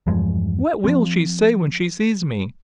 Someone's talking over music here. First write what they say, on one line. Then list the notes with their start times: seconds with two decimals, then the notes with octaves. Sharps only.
What will she say when she sees me?
0.07 E2 G2 F3 G#3
0.84 F3 C4